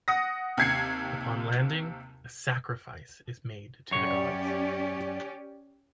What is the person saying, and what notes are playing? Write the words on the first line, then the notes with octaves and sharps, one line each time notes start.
Upon landing, a sacrifice is made to the gods.
F#5 D#6 A#6
D#2 C3 G#6 C7 C#7
F#2 C#4 G4 C#5 D5